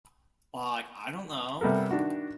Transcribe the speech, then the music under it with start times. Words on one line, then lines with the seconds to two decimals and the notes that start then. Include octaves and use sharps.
Like, I don't know.
1.61 C3 G3 B3 A4 A#4
1.91 D#3 D4 F#4